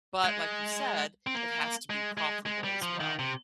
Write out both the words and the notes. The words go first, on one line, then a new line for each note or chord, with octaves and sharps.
but, like you said, "It has to be profitable as well."
G#3
C4
A#3
G#3
G#3
G#3
G3
F3
D#3
C3